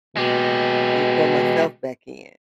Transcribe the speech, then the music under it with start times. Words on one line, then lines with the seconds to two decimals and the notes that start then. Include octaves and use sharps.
let me pull myself back in."
0.17 B2 G#3 G4